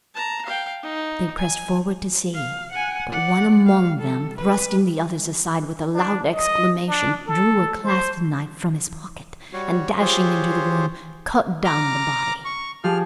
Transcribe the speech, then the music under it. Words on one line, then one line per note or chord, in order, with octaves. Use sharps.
They pressed forward to see; but one among them thrusting the others aside with a loud exclamation, drew a clasp-knife from his pocket, and dashing into the room, cut down the body.
A5 A#5
F5 G5
D#4
G#5
F5
F#5 G#5
D5 F#5
F5
A4
B4
D4
D#5
D4
A4
C5
G3 F#4 C#5
F4 G4 G#4 C5 C#5
A#5 D6 F6
C#6
F3 G4 G#4 F6